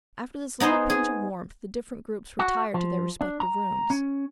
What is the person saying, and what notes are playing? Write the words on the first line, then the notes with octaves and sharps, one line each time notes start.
After this little pinch of warmth the different groups retired to their respective rooms.
B3 D#4 G#4 C5
G#4
F#4
F3
D4
A#5
C#4